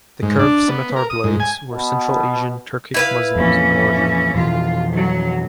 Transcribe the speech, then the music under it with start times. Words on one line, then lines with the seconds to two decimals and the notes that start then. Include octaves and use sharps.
The curved scimitar blades were Central Asian Turkic Muslims in origin.
0.22 G#2
0.39 D4
0.68 B3
0.96 A#4
1.10 D#6
1.24 G#2
1.40 G#5
1.71 B2 B3
2.94 E4 B4 F5
3.36 F2 A#2 E3 C#4
4.35 F2 B2 E3 F4
4.94 F#3